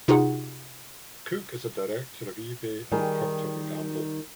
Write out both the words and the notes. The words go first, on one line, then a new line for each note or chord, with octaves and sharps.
Cook is a director of eBay and Procter and Gamble.
C3 D#4 F4 F#4 G#4 F#5
D#3 G3 G#4 A#4